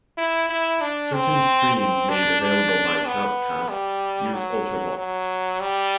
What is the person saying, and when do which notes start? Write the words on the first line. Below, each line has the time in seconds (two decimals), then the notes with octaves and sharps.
Certain streams made available by Shoutcast use Ultravox.
0.18 E4
0.50 E4
0.81 D4
1.13 C4
1.77 C4
2.09 D4
2.42 D4
3.06 B3
3.70 G3
4.34 F#3
4.98 F#3
5.60 G3